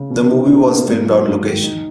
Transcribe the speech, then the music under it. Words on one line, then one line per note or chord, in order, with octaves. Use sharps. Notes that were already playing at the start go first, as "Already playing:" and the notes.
The movie was filmed on location.
Already playing: C#3
B2
D#4
B2
A#3
G#2
F#3
G#2
D#3
D#4